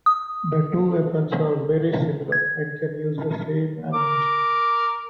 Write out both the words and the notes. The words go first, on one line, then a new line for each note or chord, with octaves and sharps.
The two weapons are very similar and can use the same ammunition.
D#6
G#6
A#4 D6